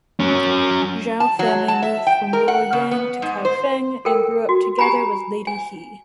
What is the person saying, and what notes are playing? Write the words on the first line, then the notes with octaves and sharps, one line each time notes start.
Zhao family moved from Luoyang to Kaifeng and grew up together with Lady He.
F#3 C#4
A5
F#3
A5
E5
G5
A#4
F#5
C#3
B3
G#2
C5
A4 A#4 G5
F#4
G4 G#5 A#5 B5
G#5